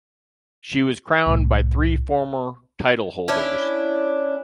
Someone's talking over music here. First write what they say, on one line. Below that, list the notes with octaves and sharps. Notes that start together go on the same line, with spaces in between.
She was crowned by three former titleholders.
C2 A2
C#4 D4 E4